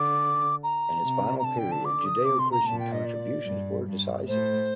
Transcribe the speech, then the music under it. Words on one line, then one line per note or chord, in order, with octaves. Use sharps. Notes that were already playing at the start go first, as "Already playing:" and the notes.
In its final period, Judeo-Christian contributions were decisive.
Already playing: D3 D6
A#5
C3
A#5
D3 A5
G5
A5
D6
D#6
C3 D6
C6
A#5
A#2 A5
G5
D#5
D5
G2
G2
A2 C5